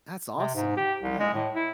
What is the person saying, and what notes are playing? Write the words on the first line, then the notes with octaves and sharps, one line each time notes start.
That's awesome, yeah.
C3
G#2
G4
C2
G#3
A2
E4